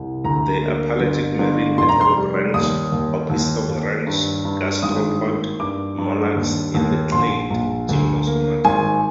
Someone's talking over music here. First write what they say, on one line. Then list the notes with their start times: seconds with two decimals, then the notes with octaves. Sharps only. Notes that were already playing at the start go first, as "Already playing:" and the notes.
They are pelagic marine heterobranch opisthobranch gastropod mollusks in the clade Gymnosomata.
Already playing: C2
0.24 D2 A#5
0.63 A#3
1.01 G1
1.39 G1
1.78 F1 C6
1.89 A#5
2.01 C6
2.16 G3
2.54 D#2 D#6
2.92 D#2
3.30 D#2
3.69 D#2
4.07 G2
4.45 G2
4.82 G#1 D#6
5.21 A#3
5.59 G2 D6
5.98 G2
6.36 D#2
6.75 D#2
7.12 A#1 C6
7.50 A#1
7.89 D2
8.27 A#3
8.65 G#1 G#5